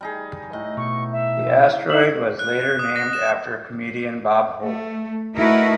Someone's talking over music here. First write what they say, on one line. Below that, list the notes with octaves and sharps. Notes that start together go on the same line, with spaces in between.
The asteroid was later named after comedian Bob Hope.
G3 D#4 G#4
A2 D#5
B2 C#6
E5
D#4 E5 F#7
F#6
F#6
D#6
A#6
E7
A3
A3 D#4 E4 F#4 A#4 B4